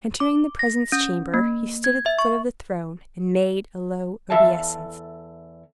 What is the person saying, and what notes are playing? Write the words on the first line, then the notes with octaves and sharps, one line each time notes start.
Entering the presence chamber, he stood at the foot of the throne, and made a low obeisance.
D6
A#6
C#4
A#3
G#6
E5
C#6
E2 A4 E5 F5 A5